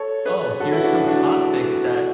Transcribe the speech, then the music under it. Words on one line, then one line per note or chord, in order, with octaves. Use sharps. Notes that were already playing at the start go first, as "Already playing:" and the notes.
"Oh, here's some topics that
Already playing: A4 C#5
G#4 B4
F#4 A4
E4
D4 F#4
G#4
D4 F#4